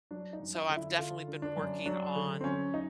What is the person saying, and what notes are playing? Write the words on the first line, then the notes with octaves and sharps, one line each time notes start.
So I've definitely been working on
F#3 D4
D#4
F#2
E4
D3
E4
D3 F4
D3
D4
F#2
F#3 D4
D3
C4
F#3 C#4
D#4